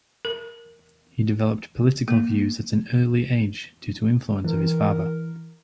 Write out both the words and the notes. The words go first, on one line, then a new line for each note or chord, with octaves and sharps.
He developed political views at an early age due to influence of his father.
A#4
A#3
E3 A#4